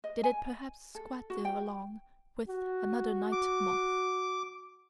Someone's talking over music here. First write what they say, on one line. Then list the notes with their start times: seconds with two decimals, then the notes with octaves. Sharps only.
Did it perhaps squat there along with another night-moth?
0.04 D#5
0.23 G#5
0.95 A4
1.30 F#4
1.45 G5
2.49 F#4
3.32 D6